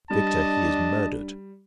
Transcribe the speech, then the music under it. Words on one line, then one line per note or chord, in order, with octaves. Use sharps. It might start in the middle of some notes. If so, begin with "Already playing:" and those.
Victor, he is murdered!
G3 D4 D#5 A5